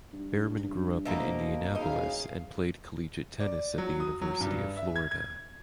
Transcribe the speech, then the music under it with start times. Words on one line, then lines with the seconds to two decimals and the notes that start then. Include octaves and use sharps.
Behrmann grew up in Indianapolis and played collegiate tennis at the University of Florida.
0.13 G2
1.05 B2 A#3 F#4 A4 C5 E5
1.75 D#1 C#4 D#4 E4 G#4 D#5 F5
3.40 D5
3.78 F#3
4.00 D#6
4.22 F#3
4.41 G2
4.77 E5
4.96 G#6
5.11 G#6